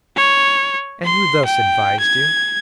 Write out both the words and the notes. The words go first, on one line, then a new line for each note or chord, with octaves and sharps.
"And who thus advised you?"
C#5
C6
G5
G#6